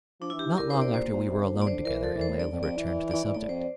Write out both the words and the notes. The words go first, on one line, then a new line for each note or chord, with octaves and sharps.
Not long after we were alone together, and Layelah returned to the subject.
F3 D4
E4
E3
G4
E3
D3 A#4
C5
C3
D5
A#2 C5
A#2
C3
D3
A#2
D5
D3 C5
E3 A#4
F3 A4
E3
C5
A2
G2 D5
F2
F2 D5
E3
D5
E3 D5
E3
A2 D5
F2 C5